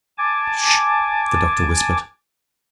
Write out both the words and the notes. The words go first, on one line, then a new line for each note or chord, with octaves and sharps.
"Sh!" the Doctor whispered.
G#5 A5 D6